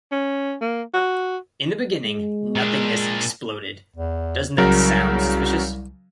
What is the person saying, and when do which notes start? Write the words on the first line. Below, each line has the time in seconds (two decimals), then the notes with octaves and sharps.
In the beginning, nothingness exploded. Doesn't that sound suspicious?
0.12 C#4
0.61 A#3
0.94 F#4
2.04 G#3
2.56 A#2 D4
3.96 E2
4.58 C2 C#3 F#3 A#4